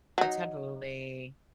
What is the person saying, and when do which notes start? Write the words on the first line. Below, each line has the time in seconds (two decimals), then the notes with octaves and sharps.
the tabbouleh,
0.18 F#3 D#4